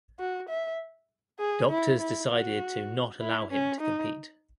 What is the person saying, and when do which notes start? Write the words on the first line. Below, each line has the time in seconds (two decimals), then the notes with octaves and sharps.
Doctors decided to not allow him to compete.
0.19 F#4
0.49 E5
1.39 G#4
1.70 E4
2.00 E4
2.30 F#4
3.21 E4
3.51 C#4
3.81 D#4